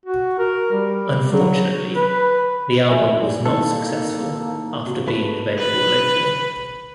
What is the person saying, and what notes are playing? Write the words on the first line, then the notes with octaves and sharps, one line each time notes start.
Unfortunately, the album was not successful after being available locally.
F#4
A#4
G3
F#3
B4
F2 E5 G#5 G7
G3
G#1 A2 A#3 A4
C3 F#4
A3 B4
B4